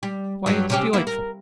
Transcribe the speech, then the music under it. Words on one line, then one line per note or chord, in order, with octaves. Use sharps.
Why, its delightful!'
G3
G2 F#3
C3 C#4 G4
A#3 B3 E4
A#4